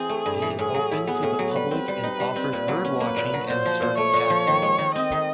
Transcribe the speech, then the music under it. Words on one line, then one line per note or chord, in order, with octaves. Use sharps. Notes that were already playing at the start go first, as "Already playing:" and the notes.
It is open to the public, and offers bird watching and surf casting.
Already playing: E3 C4 G#4
A3
G2
E3
A2 G#4
F#3
E4
B3 G#4
A2
F#3
G3 B4
C4
G3
D#4
G3
C4
A#2
F#3
C#4
A#3 B4
A#2
F#3
A#2 C5
F3
A#2
A3 C#5
A#2
F3
D#3
G#3
D#3
C4 D#5
D#3